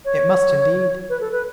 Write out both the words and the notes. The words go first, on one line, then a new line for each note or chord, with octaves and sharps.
It must indeed.
C#5
B4
A4
B4